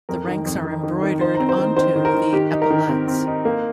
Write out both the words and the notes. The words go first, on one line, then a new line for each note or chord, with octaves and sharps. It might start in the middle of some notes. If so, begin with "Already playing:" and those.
The ranks are embroidered onto the epaulettes.
F2 A#4
D#3
F2
D#3
D#3
D#3
D#4 C5
A#5
C4
C5
D#3
D#3 C5
D#3
A#4
D#3
D#3 G4
D#4
A#4
D#3
C4
C4
D#4
A#3